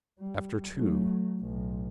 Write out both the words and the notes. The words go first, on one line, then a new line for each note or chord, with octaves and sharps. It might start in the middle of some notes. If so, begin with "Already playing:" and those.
After two.
G3
F#3 A3
B1 A2